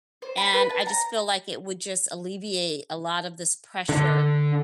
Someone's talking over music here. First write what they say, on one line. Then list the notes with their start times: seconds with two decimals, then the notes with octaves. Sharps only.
and I just feel like it would just alleviate a lot of this pressure
0.22 C5
0.37 B5
0.54 B4
0.69 A5
0.87 A#5
3.89 D3